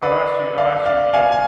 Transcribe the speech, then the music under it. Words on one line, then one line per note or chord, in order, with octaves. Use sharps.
"I've asked you I've asked you," you know,
B4 D5
D5 F5
D5 F5
F5 G#5
G#5